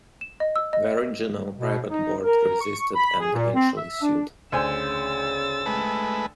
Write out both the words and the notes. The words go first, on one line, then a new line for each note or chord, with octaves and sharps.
The original, private Board resisted and eventually sued.
E7
D#5
E6
D#5
B2
D#4
A#4
C#6
B5
G#4
A#2
C4
E5
D4
D2 C#3 C5 G#5 E6 A6
G#3 A3 B4